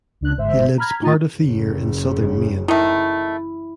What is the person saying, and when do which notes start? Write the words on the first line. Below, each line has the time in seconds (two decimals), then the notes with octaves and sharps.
He lives part of the year in Southern Maine.
0.21 C#2 D4 F#6
0.36 G1 G#2 C5 E5
0.78 A#5 B5 F6 G#6
1.01 A2 D#4 F4 A#5 D#6 A6
1.37 F#1 C#3
2.68 D#3 A3 E4